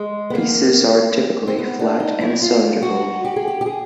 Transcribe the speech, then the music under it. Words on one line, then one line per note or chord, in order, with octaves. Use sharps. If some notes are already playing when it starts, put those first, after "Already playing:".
Pieces are typically flat and cylindrical.
Already playing: G#3
B3
A#3
C4
B3
D4
D#4
E4
F4
F#4
G4
G#4
G4
G4
G#4